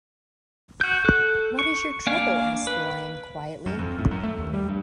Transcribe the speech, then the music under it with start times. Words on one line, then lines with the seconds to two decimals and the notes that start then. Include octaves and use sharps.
What is your trouble? asked the Lion, quietly.
0.81 F#4 G6
1.05 A4 F#6
1.59 C#6
2.07 A#3 D4 D5 F5 G#5
2.67 B4
3.66 F#2
3.79 F2
3.99 A2
4.11 F#2
4.23 A3
4.38 D#2
4.54 G3
4.69 G2